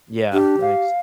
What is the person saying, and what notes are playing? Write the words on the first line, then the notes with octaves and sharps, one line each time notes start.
Yeah, that makes
D4 G4
F5